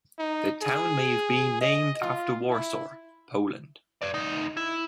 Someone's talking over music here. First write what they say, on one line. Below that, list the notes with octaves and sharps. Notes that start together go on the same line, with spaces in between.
The town may have been named after Warsaw, Poland.
D#4
G#4
D#5
F4
E4
B4 D5
D2 D#4
E4